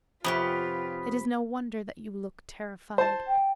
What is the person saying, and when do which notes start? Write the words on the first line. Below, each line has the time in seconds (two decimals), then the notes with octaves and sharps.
It is no wonder that you look terrified.
0.24 F2 C3 B3 C#4 F4 G4 B5 B6
2.98 C5 A5
3.28 G5